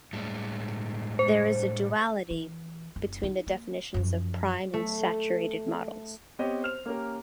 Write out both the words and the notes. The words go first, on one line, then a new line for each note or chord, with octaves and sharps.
There is a duality between the definitions of prime and saturated models.
A2 G3 G#3
C5
E3
F#1
D#4 F4
A#3
F#2 F3
A3
B3 C4 G4 C#5 D#5
C5 F6 F7
A#3 C#4 G4 A#4